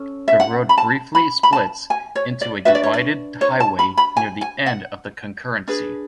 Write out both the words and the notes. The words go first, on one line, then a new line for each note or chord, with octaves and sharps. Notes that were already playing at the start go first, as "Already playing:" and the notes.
The road briefly splits into a divided highway near the end of the concurrency.
Already playing: C#4 A4
E5
F#5
B5
A5
B5
B5
A5
G#5
C#5
D5
D4 F#4 B4 E5
D5
C#5
D5
C#5
A5
B5
B5
G#5
G#5
F#5
D4 G#4 B4